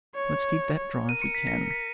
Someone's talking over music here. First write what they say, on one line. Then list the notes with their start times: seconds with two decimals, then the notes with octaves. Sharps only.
Let's keep that dry if we can.
0.15 C#5
0.77 C#5
1.09 A#4 D#7
1.22 C#7
1.35 B6
1.47 A#6 C#7
1.66 C#7
1.71 B6